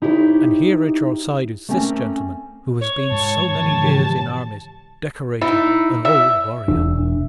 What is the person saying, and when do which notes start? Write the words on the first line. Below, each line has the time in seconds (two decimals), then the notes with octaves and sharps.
And here, at your side, is this gentleman, who has been so many years in armies--decorated, an old warrior.
0.02 D#4 E4 G4 A4 C5 C#5
1.69 A3 A#3 C4 C#4
2.80 C#5
3.11 G#2 A5
3.52 G#2 D#3 F3 A5
3.84 C#3 E3 G4
5.41 D#4 E4
6.05 E5
6.68 E1 D4